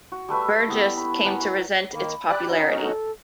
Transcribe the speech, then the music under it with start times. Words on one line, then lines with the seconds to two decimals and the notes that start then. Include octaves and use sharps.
Burgess came to resent its popularity.
0.12 F#4
0.29 G3 A3 B4 E5
0.68 G3 B3 E4
0.97 B5
1.24 A#4 B4 F#5 G#5
1.41 F#4
1.93 D#3 A#3 B5
2.28 G4 D5 F#6
2.48 C#4 D#4 F#4
2.80 A4